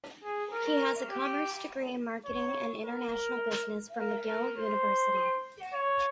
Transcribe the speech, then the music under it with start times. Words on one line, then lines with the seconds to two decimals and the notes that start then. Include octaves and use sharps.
He has a commerce degree in marketing and international business from McGill University.
0.24 G#4
0.53 A#4
1.10 G4
2.26 C#5
2.84 A#4
3.99 A#4
4.28 A#4
4.57 C5
5.73 C#5